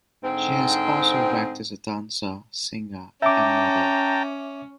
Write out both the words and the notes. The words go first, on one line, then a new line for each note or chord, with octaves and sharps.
She has also worked as a dancer, singer, and model.
G#2 D3 C4
C#4 E5 G5 A5 A#5 D6